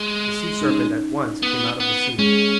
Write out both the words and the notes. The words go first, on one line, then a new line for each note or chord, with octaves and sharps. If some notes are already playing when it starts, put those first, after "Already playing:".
The sea serpent at once came out of the sea.
Already playing: G#3
D#4
C#4
B3
B3
G#3 C#4